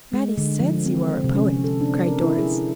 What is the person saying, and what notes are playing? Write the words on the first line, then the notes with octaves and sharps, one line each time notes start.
"Mattie says you are a poet!" cried Doris.
G#3
D3
F3
C4
C3
C#4
A4
D4
A#4
E4
G#4